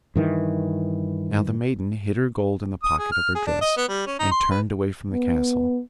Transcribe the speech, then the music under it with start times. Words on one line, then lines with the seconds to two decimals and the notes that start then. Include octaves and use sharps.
Now the maiden hid her gold in the pocket of her dress, and turned away from the castle.
0.16 G2 D#3 E3
2.83 D#6
2.98 G#4
3.12 F6
3.35 G#4
3.46 D4
3.61 D#5
3.77 B3
3.88 G3
4.06 C#4
4.19 D#4
4.31 C6
4.50 B4
5.13 B3